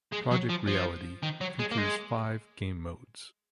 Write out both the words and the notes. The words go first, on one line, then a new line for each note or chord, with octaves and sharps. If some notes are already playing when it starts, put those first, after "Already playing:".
"Project Reality" features five game modes.
G#3
F#3
F3
F3
D#3
F#3
G#3
A#3
G#3